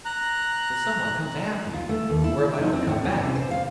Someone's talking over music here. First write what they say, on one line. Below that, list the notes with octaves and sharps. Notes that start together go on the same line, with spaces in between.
If someone comes after you, or if I don't come back.
A#5 F#6
F4
A3
D#2
E4
E4
D#4
C4
A2
C#4
C3
C5
F5